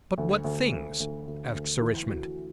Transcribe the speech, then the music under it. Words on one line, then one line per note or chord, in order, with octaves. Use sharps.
"But what things?" asked Sir Richmond.
D2
D2
D2
D2
D2
D2
E3
F#4